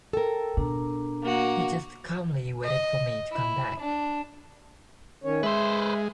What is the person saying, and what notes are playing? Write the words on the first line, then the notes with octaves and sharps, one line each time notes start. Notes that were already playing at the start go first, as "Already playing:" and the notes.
He just calmly waited for me to come back.
A4 A#4 G5
B2 D4 A#5
A#3 F#4
D#5
E4
D4
D#3 C#4 C#5
G#3 B4 C5 E5